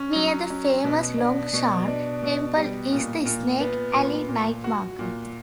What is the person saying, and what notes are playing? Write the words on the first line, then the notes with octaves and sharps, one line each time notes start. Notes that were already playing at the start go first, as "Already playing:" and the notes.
Near the famous Longshan Temple is the Snake Alley Night Market.
Already playing: C#4
F#3
C#4
B2
D4
B2
D4
B2
G3
A#2
A#2
B3
A#2
A#2
F#4
A#2